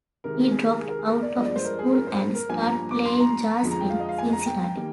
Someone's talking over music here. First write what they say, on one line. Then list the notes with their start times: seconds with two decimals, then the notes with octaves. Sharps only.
He dropped out of school and started playing jazz in Cincinnati.
0.24 C3 D#3 G#3 A#4
0.38 A#4
0.51 G#4
0.66 A#4
0.80 G#4
0.90 A#4
0.99 G#4
1.09 A#4
1.22 D5
1.37 G2 F3 G#3 D#5
1.45 D5
1.56 C5
1.65 A#4
1.79 G#4
1.93 A#4
2.07 C5
2.35 A#4
2.49 G2 F3 A#3 G#5
2.63 A#5
2.91 D6
3.05 C6
3.20 A#5
3.62 F2 D3 F3 G#3
3.71 A#5
3.81 G5
3.90 F5
4.00 D#5
4.09 F5
4.18 G#5
4.33 A#5
4.46 G5
4.76 D#3 G3 A#3